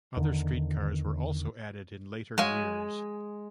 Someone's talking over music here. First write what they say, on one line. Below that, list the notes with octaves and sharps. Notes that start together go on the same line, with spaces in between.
Other streetcars were also added in later years.
E2 D3 D#3
G#3 F#4 C#5 F5 G#5